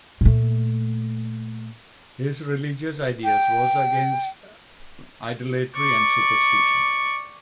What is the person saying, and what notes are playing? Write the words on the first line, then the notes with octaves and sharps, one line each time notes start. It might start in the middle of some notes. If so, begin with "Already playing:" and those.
His religious ideas was against Idolatry and Superstition.
A#2 A3
G5
D5 C#6